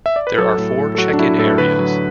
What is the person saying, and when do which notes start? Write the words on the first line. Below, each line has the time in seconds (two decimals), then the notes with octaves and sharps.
There are four check-in areas.
0.06 E5
0.16 D5
0.27 B4
0.38 F#3 A4
0.58 A2
0.78 A2
0.95 A4
0.98 F#3 F#4
1.13 D4
1.18 F#3 E4
1.38 A2 A4
1.58 D3 B4
1.79 F#3